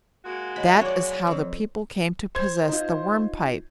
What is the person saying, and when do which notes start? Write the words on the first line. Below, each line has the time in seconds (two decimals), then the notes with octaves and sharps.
That is how the people came to possess the Worm Pipe.
0.25 G#3 A#3 F#4
0.56 D#2 D#5 F5 B5
0.81 F#3 C#5 D5
1.27 F2
2.35 C5 G#6
2.69 D#4 F4